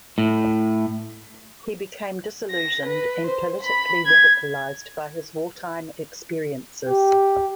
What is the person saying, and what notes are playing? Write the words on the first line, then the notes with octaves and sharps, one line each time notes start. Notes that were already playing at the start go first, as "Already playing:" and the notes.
He became disillusioned and politically radicalized by his wartime experiences.
A2
A#6
B4
C5
B5
G#6
G4